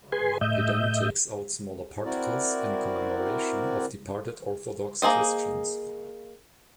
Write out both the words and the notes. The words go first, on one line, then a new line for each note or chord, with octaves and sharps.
He then takes out smaller particles in commemoration of departed Orthodox Christians.
G#4 B4 G#5 C6
A2 D#5 E5 G6
C4 E4 F#4 A#4 D5
A#3 G#4 C5 D#5